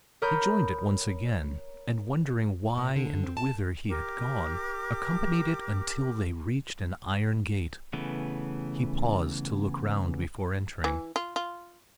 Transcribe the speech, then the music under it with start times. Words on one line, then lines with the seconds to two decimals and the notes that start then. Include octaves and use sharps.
He joined it once again, and wondering why and whither he had gone, accompanied it until they reached an iron gate. He paused to look round before entering.
0.22 A#4 C#5 A#5 B5 D#6 G6
2.78 A#2
2.96 D3
3.24 C4
3.37 A5
3.89 G4 A#4 D6
7.93 C#3 E3 A3 B3
10.84 E3
11.16 F4
11.36 F4